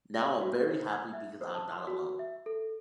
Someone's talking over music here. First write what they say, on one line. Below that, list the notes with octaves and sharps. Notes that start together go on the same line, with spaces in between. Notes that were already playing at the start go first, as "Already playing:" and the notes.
Now I’m very happy because I’m not alone.
A#6
F#4
C5
G#6
E5
C5
A5
C6
F#4
E5
A4